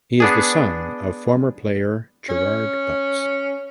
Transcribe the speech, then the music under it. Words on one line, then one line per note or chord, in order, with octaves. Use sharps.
He is the son of former player Gerard Butts.
B3 D4 G#4
C#4